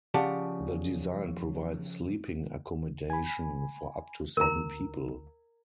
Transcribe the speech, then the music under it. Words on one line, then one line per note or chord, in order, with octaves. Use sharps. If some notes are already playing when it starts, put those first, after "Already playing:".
The design provides sleeping accommodation for up to seven people.
C#3 F3 G4 D5 F#5 A5
G#5 B5
D2 A#4 A#5